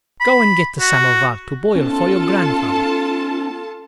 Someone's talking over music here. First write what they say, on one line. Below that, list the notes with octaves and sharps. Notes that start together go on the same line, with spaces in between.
"Go and get the samovar to boil for your grandfather."
B5
F#4
B3 C#4 F4 A4 A5